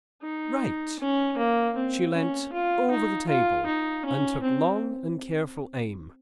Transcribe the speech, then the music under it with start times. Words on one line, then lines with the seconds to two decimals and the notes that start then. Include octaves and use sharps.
"Right." She leant over the table and took long and careful aim.
0.22 D#4
0.99 C#4
1.37 A#3
1.76 C4
2.13 C#4
2.52 F4
2.90 D#4
3.28 F4
3.66 D#4
4.05 C#4
4.42 C4